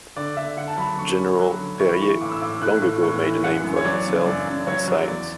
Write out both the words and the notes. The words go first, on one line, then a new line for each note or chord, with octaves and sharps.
General Perrier long ago made a name for himself in science.
D3 D5
D3 E5
D3 F#5
A5
F#3 B5
D2 C#6
C#4
F#3
D3
E4 C#6
B5
E3 C#6
A2 D6
E6
A2 D6
A3 F#6
A2
A2 C#6
E3
F#2 F#5
F#2
C#5
F#3 D5
C#3
F#2 D5
F#2
F#3 C#5
F#3
E2 D5